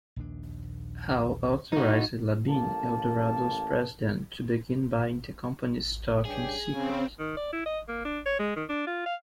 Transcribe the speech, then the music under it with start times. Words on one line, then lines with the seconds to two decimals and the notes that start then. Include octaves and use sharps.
Howe authorized LaBine, Eldorado's president, to begin buying the company's stock in secret.
0.16 A#1 D#2 D4
1.72 D#4 F#4
2.49 A1 A#3 A5
6.25 G2 C#4 G4 G#4
6.74 C#3 C4
7.19 D#3
7.37 D5
7.53 E4
7.66 D#5
7.88 A#3
8.05 D4
8.26 C#5
8.39 G#3
8.56 D#3
8.69 D4
8.87 F4
9.06 F5